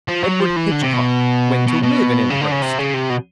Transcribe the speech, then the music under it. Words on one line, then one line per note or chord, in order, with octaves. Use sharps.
Edward Hitchcock went to live in Amherst.
F3
F#3
F3
E3
D3
C3
B2
B2
B2
C#3
D3
C#3
C3
C#3
C3
B2